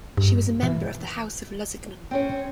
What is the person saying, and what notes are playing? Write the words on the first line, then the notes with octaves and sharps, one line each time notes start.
She was a member of the House of Lusignan.
G2
B2 E3
C4 C#4 C#5